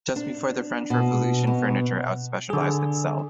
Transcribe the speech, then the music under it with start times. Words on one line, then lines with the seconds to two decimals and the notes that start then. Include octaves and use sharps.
Just before the French revolution furniture out-specialized itself.
0.16 D4
0.90 B2
1.47 B2
2.50 D3 G#4